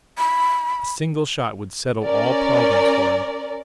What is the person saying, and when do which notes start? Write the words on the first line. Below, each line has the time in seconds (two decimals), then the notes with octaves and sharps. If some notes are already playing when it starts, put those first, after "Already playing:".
A single shot would settle all problems for him....
0.18 B5
2.04 C#4 A#4 D5